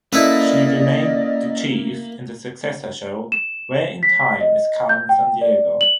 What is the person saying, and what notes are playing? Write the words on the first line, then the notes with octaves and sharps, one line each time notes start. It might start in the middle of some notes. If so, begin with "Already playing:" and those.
She remained The Chief in the successor show, Where in Time is Carmen Sandiego?
A#3 C#4 E4 A4 B4 D5 D#5
E7
B6
D#5
G6
G5
D5
F#7